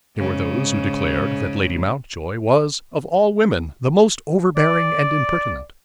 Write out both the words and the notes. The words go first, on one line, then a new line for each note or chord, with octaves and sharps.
There were those who declared that Lady Mountjoy was of all women the most overbearing and impertinent.
G#2 C#3
D5